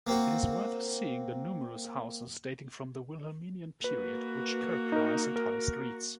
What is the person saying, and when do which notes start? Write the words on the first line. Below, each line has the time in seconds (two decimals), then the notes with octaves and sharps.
It is worth seeing the numerous houses dating from the Wilhelminian period, which characterize entire streets.
0.07 A#3 C4 F#4
3.84 A#3 F#4 B4
4.92 D#4 A#4
5.36 A#4